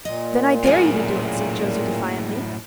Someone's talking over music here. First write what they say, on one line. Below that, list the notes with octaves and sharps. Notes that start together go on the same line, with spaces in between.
"Then I dare you to do it," said Josie defiantly.
A#2 D#5
F#2 A2 A#3 G#4 G#5